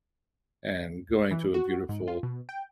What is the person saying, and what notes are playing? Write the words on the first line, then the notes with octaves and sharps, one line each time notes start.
and going to a beautiful,
E3
F#4
G#2
F4
B2
G5